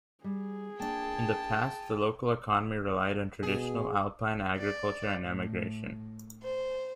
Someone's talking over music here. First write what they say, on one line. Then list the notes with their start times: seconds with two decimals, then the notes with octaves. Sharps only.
In the past, the local economy relied on traditional alpine agriculture and emigration.
0.24 G3 G#4
0.80 A#3 D4 G5 A5
3.43 B2 G#4
4.59 D5
5.24 A2
6.44 C5